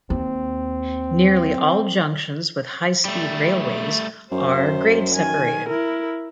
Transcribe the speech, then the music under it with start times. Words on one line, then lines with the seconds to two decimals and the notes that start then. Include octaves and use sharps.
Nearly all junctions with high-speed railways are grade-separated.
0.10 D#2 C4
3.05 G3 A3
4.32 F#2 C5
5.12 D#3 G#5
5.69 E4 A#4